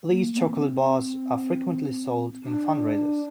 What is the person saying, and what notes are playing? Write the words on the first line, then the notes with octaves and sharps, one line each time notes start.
These chocolate bars are frequently sold in fundraisers.
A#3
A#3
C4
D4